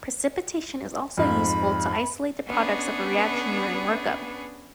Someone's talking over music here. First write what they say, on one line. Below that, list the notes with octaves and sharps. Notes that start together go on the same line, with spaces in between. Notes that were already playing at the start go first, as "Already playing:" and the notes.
Precipitation is also useful to isolate the products of a reaction during workup.
F2 G#2 B5
B3 C#4 D4 G#4 B4